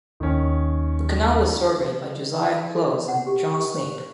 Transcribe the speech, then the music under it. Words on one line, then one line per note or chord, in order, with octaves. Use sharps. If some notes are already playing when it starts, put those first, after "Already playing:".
The canal was surveyed by Josiah Clowes and John Snape.
D#2 D#3 C#4
E4
A4
F#5
G4
C#6
C5